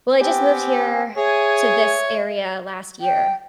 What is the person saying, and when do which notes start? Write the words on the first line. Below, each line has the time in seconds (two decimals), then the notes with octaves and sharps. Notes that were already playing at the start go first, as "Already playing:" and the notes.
Well, I just moved here to this area last year,
0.20 B3 C4 G4 G#5
1.17 G#4 C#5 E5 G#5
3.01 G5